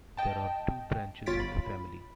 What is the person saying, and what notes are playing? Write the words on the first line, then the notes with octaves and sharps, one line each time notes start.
There are two branches of the family.
D#5 G5 A5
G1 F4 C#5 A6 B6 D7
B5